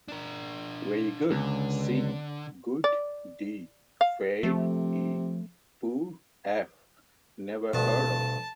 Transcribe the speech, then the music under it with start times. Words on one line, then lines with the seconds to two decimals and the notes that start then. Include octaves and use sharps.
Very Good C. Good D. Fair E. Poor F. Never heard of.
0.08 D4 A#4
1.31 C#2 D3
2.84 D5
4.01 F5
4.43 C3 F3 A3
7.74 D2 G2 B2 A5